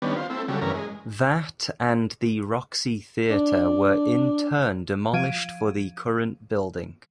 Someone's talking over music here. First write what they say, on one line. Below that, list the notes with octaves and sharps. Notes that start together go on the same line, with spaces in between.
That and the Roxy Theatre were in turn demolished for the current building.
D#3 G3 B3 C#4 D4
F4 C5
A3 C4 E4
C#3 F#3 G3 A3
G2 E3 C#4 A#4
G#3
D4
F3 F5 G#6 D7 D#7